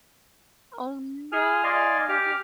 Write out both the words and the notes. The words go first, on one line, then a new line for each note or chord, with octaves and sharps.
Oh, no.
G#4 G#5 F6
D5 D#5 F5 G#5 C6
G4 D6 F6